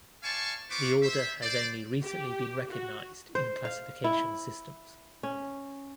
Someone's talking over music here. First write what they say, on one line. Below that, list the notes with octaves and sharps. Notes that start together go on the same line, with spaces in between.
The order has only recently been recognized in classification systems.
C5 D5 F5 G#5 A5 C#6
C4 F4 B4 C5 C#6 D6
C5 E5
C5 D5
G4
F#4
C5
F5
E4
C#4